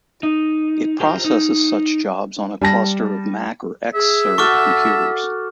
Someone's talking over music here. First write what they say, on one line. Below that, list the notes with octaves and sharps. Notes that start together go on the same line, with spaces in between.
It processes such jobs on a cluster of Mac or Xserve computers.
D#4
F4 G4 A#4 C5
D#4
G3 A5 A#6
G#4 E5
F#4 A4 A5 C#6 D6 F6